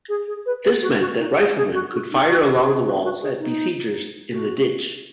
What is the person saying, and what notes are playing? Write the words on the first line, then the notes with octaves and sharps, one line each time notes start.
This meant that riflemen could fire along the walls at besiegers in the ditch.
G#4
G#4
B4
B4
F#4
F#4
D#4
G#4
G#4
F#4
F#4
D#4
F#4
G#4
F#4
F#4
G#4
D#4
F#4